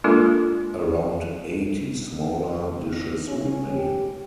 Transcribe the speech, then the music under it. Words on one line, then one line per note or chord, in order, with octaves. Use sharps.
Around eighty smaller dishes remain.
G#3 A#3 D4 F4 A4 A#4
C#4
G4